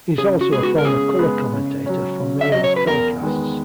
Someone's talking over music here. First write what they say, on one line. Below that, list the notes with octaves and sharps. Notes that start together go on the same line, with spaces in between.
He is also a former color commentator for Royals telecasts.
C#3 G#4
F#4
G#3 B3 G#4
F#4
A#4
C#3 G#4
G#3 B3
C#3
F#3 C#4
C#3
E5
F#3 C#4 D#5
C#5
B4
E2 A#4
D#3 G#3 B3